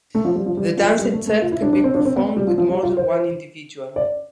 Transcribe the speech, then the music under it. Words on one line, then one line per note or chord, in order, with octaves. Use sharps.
The dance itself can be performed with more than one individual.
A3
F3
G3
F3
G3
F3
G3
A3
A3
F4
E4
D4
D4
C4
D4
C4
B3
G3
F3
F3
G3
F4
C5
D5